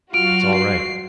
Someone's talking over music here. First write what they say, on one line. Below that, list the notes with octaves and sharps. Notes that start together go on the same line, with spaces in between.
It's all right.
F#3 F4 F#4 F6 D7
C7